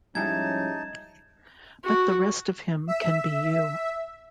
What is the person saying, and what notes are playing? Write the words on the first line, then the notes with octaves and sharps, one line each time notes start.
But the rest of him can be you.
G#2 F3 G3 C#4 D#4 E4 A5 G#6
F#4
E5